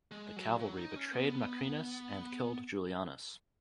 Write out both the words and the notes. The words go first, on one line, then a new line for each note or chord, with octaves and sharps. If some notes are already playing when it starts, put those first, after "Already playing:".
The cavalry betrayed Macrinus and killed Julianus.
G#3
F#3
F#3
D#4
C#4
B3